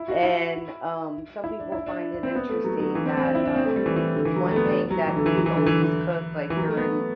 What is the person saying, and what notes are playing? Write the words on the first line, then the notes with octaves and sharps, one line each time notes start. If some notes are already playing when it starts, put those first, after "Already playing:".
and, um, some people find it interesting that, um, one thing that we always cook, like, during
Already playing: E4
F#4
E4
E4
D4
E4
D4
D4
C4
B3
A3
F#3
F#3
E3
C4
C4
D4
E4
D4
C4
A3
G3
E3
E3
D3
E3
F#3
G3
A3
B3
D4
F#3
E3
D3
E3
F#3
E3
D3
E3
E3
E3
F#3
A3
B3